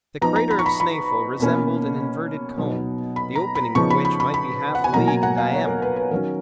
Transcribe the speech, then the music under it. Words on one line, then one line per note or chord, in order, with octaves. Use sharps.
The crater of Snaefell resembled an inverted cone, the opening of which might be half a league in diameter.
F3 B3 D#4 A#5
A#5
B5
C#6
B5
B5
B2 A#3 C#4
B2 F#3 B3 D#4
B5
A#5
B5
C#3 F3 B3 D#4 C#6
B5
B5
B5
B5
F#5
G#5
B2 F#3 A#3 A#5
G#5
F#5
F5
C#5
A#4
B4
B4
D#3 F#3 C#4 A#4